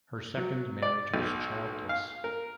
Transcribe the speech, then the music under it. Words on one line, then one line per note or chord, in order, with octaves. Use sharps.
Her second marriage was childless.
F#3
D5
B1
F5
A#4